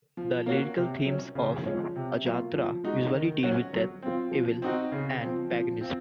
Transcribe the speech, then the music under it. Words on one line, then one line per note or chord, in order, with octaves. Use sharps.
The lyrical themes of "Ajattara" usually deal with death, evil and paganism.
F3
A#3 C#4 F#4
C3
F#3 C#4
C#3
F3 G#3 C#4
C3
F#3 A#3 F4
F3
G#3 D#4 F#4
D#3
F#3 C#4 F#4
F#3
C4 F4
F3
C4 D#4 F#4
C#3
F3 C4
F3
C4 F4